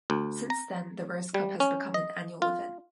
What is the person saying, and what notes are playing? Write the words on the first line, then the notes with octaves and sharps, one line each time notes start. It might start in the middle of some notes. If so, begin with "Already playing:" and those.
Since then, the Rose Cup has become an annual event.
D2
A#5
G3
C#4
D#5
F4